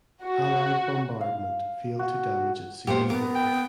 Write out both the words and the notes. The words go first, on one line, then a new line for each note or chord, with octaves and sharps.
Allied bombardment failed to damage it significantly.
F#4
F5
F#4
A#2 G#3 B3 G4 C5
B3 A#4 D6
G5